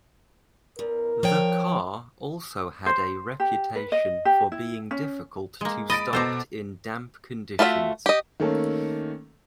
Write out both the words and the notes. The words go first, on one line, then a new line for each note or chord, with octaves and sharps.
The car also had a reputation for being difficult to start in damp conditions.
E2 A#4
F3 C#5 G5
C5
G4
B4
D#5
G4
E4
C#4
G#3 A#3
D#5 B5 A6 D7
B2 A4 C5 A#5 D6
A3 F4 F#4 C5 E5
G4 D#5
D#3 A3 A#3 C#4 A4